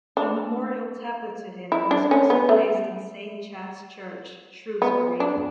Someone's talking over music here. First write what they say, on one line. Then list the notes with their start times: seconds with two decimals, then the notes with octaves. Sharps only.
A memorial tablet to him was also placed in Saint Chad's Church, Shrewsbury.
0.17 D4
1.72 E4
1.91 D4
2.11 C#4
2.30 B3
2.49 A3
4.82 B3
5.20 D4